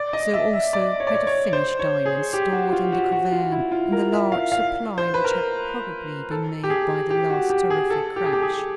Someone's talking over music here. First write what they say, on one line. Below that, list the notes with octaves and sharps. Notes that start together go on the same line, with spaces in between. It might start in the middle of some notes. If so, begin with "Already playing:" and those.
So, also, had the finished diamonds stored in the cavern and the large supply which had probably been made by the last terrific crash.
Already playing: D5
D#5
E5
E5
D5
C#5
D5
C#5
C#5
C5
C#5
G#4
G4
F#4
F4
F#4
F#4
F4
E4
F4
A#4
E5
F5
F5
C5
B4
A#4
A4
G4
G#4
G4
F#4
G4
G#4
A4
G4
G#4
G4
G#4